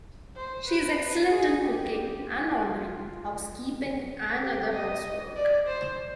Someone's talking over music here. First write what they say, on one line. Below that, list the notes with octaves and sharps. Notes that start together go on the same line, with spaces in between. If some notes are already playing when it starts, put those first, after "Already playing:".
She is excellent in cooking and laundry, housekeeping and other housework.
C5
B4
G#4
G4
F4
G4
D#5
D5
C5